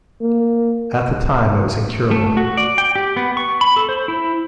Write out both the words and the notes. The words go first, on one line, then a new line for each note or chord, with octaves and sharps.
At the time it was incurable.
A#3
A3
F#4
D5
G5
G4
B3
C#6
B5
A4
C5
E4